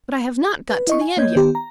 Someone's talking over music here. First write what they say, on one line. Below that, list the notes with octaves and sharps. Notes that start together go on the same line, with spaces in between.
But I have not got to the end yet.
B4
E4 D#5 C#6
G#5
A#3 C#5 D#5 G6 G#6
D#3 B3 G4
A#5